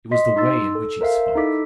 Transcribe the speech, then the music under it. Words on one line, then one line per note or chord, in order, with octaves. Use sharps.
It was the way in which he spoke.
D#5 C6 B6
D#4 C6 E6 A6
A4
A#4 C5 E5 F5
D#4 E4 A4 D6 B6